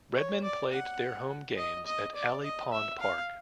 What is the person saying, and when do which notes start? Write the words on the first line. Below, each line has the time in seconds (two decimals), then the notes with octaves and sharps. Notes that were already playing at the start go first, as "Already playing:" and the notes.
The Redmen played their home games at Alley Pond Park.
0.14 C#5
0.43 D5
0.72 F#5
1.57 D#5
1.86 D#5
2.14 D5
2.43 D#5
2.72 E5
3.00 F5